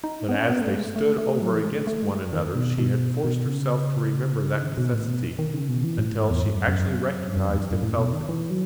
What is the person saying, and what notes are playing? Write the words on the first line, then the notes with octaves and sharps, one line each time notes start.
But as they stood over against one another she had forced herself to remember that necessity until she actually recognised and felt it.
D#4
B3
C#4
B3
A3
G#3
A3
A3
A3
F#3
E3
G#3
A3
A3
G#3
D#3
B2
B2
B2
C#3
D#3
B2
A2
B2
D#3
C#3
B2
E3
A2
G#2
E2
G#2
F#2
F#2
F#2
F#2
E2
F#2
F#2
A2
B2
D#3
E3
F#3